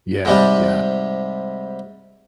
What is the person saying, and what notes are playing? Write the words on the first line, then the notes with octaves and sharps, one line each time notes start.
Yeah, yeah.
G#2 C3 G3